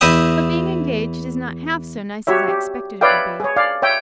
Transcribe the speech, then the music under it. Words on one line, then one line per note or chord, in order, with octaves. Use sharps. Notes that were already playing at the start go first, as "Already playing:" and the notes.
But being engaged is not half so nice as I expected it would be.
E2 E4 D#5 E5 G5 D#6
F#4 G4 C#5 E5
G4
B4 C#5 D5 E5 F5 G5
G#4 C#5
D5 F5
C#5 E5 G5